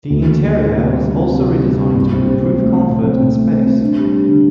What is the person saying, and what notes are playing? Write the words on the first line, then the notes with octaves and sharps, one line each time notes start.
The interior was also redesigned to improve comfort and space.
D2
A#3
A#3
A#3
C3
G3
C3
G3
C3
G3
C3
A#3
C2
C4
C4
C4
A3
C4
A#2
C4
C4
A3
C4
C4
D4
G3
D4
D3